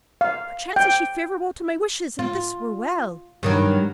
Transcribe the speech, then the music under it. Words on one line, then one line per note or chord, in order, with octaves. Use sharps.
Perchance is she favourable to my wishes, and this were well!'
F5
G5
F4
G2 D#3 F#3